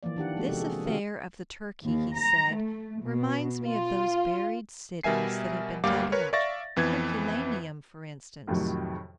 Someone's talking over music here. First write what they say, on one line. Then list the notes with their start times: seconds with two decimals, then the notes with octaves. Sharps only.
"This affair of the turkey," he said, "reminds me of those buried cities that have been dug out,--Herculaneum, for instance."
0.03 E3 F3 A#3 D5
0.16 D#3 D4 G4 F#5
0.36 F3 G#3 A#3 B3 F#4 A4
0.48 C3 G4 A4
0.61 G#4
0.86 D#3 A3 C4 F#4 G4 F5
1.84 D#2
2.17 A#5
2.55 A3
3.04 B2
3.66 F4
5.03 B2 G3 A#4 E5 G#5 C7
5.84 G1 D2 G3 A#3 F5 D6
6.12 A#4 B4 C#5
6.33 D5 E5 F5 C#6 A6 A#6
6.76 F2 E3 B3 G#6
8.47 F2 A2 C3 D#3 F3 F#3